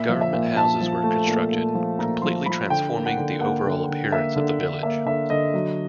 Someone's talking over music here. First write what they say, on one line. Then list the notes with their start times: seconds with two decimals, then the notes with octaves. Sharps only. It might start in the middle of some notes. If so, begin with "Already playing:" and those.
Government houses were constructed, completely transforming the overall appearance of the village.
Already playing: A#2 E5
0.09 F3
0.21 E5
0.33 A#2
0.56 A#2 A5
0.81 F3
1.04 A3
1.27 A#2
1.52 A#2
1.75 F3
1.99 A#2 A#5
2.22 F3 C6
2.46 F3 B5
2.70 D3 G5
2.94 A#3
3.06 F#5
3.17 D3
3.41 A#3 F#5
3.65 D3
3.89 D3
4.12 A#3 E5
4.36 D3
4.59 D3
4.83 A#3 E5
5.06 D3 E5
5.30 D3 D#5
5.54 F#3